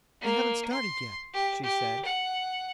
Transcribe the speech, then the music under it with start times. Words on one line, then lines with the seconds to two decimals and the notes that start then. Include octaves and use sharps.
"They haven't started yet," she said.
0.22 A#3
0.73 C6
1.34 G4
1.64 G4
2.05 F#5